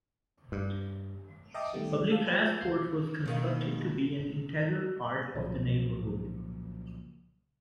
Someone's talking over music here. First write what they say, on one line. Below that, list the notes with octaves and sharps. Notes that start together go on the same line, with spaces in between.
Public transport was constructed to be an integral part of the neighbourhood.
G2
D#5 E5 G5 A5 D6 D#6
C3 D#3 G3 A3 B3 G4
F5 A5 E6 F6
F4 G#4 B4 D5 G5
D#2 F4 F#4 G6 G#6 C7
B2 D#3 A#3
C2 A#2 C#3 F3 F#3 A#3